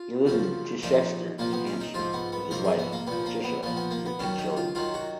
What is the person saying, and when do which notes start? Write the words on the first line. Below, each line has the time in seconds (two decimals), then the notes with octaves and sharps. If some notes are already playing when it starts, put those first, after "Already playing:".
He lives in Chichester, New Hampshire with his wife, Patricia, and their two children.
Already playing: F4
0.27 F#2 C#3 F3
0.83 A#2 F3 D#4
1.39 A#2 F3 A#3
1.52 B3
1.67 C#4
1.81 D#4
1.94 G#2 F3 F4
2.14 B3
2.32 B3
2.51 G#2 F3 A#4
2.65 G#4
2.79 B3
2.93 A#3
3.07 A#2 F3 B3
3.26 A#3
3.44 B3
3.63 A#2 F3 B3
3.77 B3
3.91 A#3
4.06 B3
4.19 F#2 D#3 F#3 C#4
4.38 D#4
4.57 F4
4.75 F#2 D#3 F#3 F4
4.94 F#4